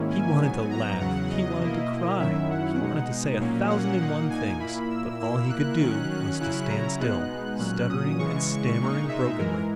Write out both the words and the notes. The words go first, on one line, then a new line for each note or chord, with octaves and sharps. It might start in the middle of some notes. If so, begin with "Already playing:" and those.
He wanted to laugh, he wanted to cry, he wanted to say a thousand and one things, but all he could do was to stand still, stuttering and stammering brokenly.
Already playing: G#2 D#3 A#3 C#4 E4
G#5
G#2 F#3 B3
A#5
E2 C#3 F#3 F#5
D#5
B2 A#3 E4
F#2 D#3 F#3 C#4 E4 E5
F#5
B2 G#3 D#4
A#2 F#3 A#3 C#4
F#5
A#2 A#3 D#4
G#5
A#2 A#3 E4 B5
E6
A#2 A#3 E4 E6
F#6
D#3 F#3 C#4 F#6
F#6
C#3 F#3 C#4 E4 F#6
A#5
B2 G#3 B3 D#4 F#6
A#2 F#3 C#4 F#6
D#6
C#3 E3 G#3 C#6
A#2 G#3 D#4
E5
G#2 E3 G#3 A#4